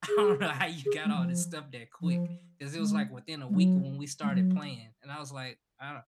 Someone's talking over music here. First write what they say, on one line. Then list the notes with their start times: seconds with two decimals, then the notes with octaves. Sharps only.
I don't know how you got all this stuff that quick, ‘cause it was, like, within a week when we started playing and I was, like, I o
0.09 G#4
0.86 G#4
1.05 G#3
1.15 F3
2.02 F3
2.78 G#3
3.49 G#3
3.55 F#3
4.23 G#3
4.31 F#3